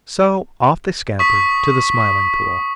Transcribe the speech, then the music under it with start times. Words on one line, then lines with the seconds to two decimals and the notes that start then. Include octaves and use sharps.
So off they scampered to the Smiling Pool.
1.19 C#6 D#6 B6